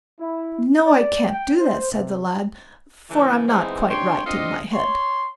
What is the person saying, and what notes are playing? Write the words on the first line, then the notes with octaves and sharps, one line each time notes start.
'No, I can't do that', said the lad; 'for I'm not quite right in my head.'
E4
D5
G5
C5
C3
C#3 E3 A3
E3 G#3 B3 C4 D#4 E4
C3 D4 C#5 G5 C6
C4 D4 F4 A4 D#5
C#5 C6